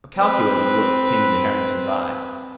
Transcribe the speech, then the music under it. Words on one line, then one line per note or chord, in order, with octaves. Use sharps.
A calculating look came into Harrington's eye.
C4 B4